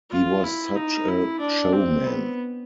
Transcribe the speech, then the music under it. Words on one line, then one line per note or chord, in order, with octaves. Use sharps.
He was such a showman.
F4
E4
D#4
E4
D4
C4
B3